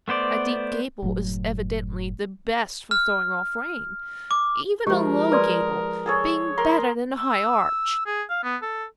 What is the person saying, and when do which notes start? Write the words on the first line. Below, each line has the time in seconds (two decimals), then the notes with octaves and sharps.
A deep gable is evidently the best for throwing off rain; even a low gable being better than a high arch.
0.08 A3 B3 C5 D5
1.02 F#1 A2 F#3
2.91 F6
4.31 D6
4.87 F3 G#3 G4 A#4
5.32 B4 D5 C6 D#6
6.06 G#4 A4 C#5
6.58 A#4 C6
7.18 E6
8.06 G#4
8.30 F5
8.43 B3
8.62 A4